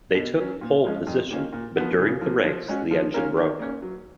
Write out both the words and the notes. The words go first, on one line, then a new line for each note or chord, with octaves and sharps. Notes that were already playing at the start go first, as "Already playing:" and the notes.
They took pole position, but during the race, the engine broke.
B2
F#3 C#4
A#2
F3 G#3 C#4
F2
D#3 A#3 C#4 F4
A#2
F3 B3 F#4
C#3
F3 A#3
F3
G#3 C#4 F#4
F3
A#3 C#4 F4 A#4
D#3
A#3 C#4
F#3